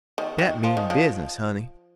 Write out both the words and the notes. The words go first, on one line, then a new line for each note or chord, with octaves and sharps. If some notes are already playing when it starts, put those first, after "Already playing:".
Dat mean business, honey.
D#3
D#3
F3
D#3
F3